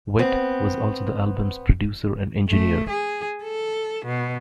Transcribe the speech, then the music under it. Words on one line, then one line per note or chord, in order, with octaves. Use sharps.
Wirt was also the album's producer and engineer.
B3 C4
A3
G#4
A4
B2